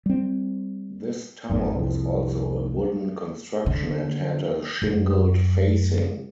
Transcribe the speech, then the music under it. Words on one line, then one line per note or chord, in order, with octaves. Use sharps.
This tower was also a wooden construction and had a shingled facing.
G3 C4
G1 F2 G#2
C2 F2
D3
F#2